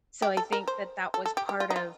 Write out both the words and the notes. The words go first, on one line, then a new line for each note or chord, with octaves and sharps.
so I think that that was part of
G4
A4
A#4
C5
A4
A4
G4
G4
F4
D#4
F4